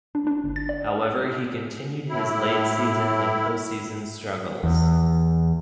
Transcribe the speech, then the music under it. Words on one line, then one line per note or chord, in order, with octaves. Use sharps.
However, he continued his late season and postseason struggles.
D4
D4
G1
A6
D5
A2 E4
E2